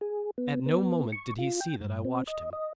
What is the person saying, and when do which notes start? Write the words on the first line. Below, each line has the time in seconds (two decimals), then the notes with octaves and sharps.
At no moment did he see that I watched him.
0.01 G#4
0.38 B3
0.66 B3
1.12 C#6
1.39 F4
1.61 G5
1.80 G2
2.05 C4
2.27 D#5
2.53 D#5